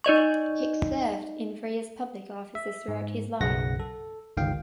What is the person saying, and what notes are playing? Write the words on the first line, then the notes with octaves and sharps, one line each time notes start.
Hicks served in various public offices throughout his life.
D#4 D5 D#5 C#6
E5
G#2
B1 F#2 C#3 F#5 A#6
A4
G1 C#2 D#3 F5 G5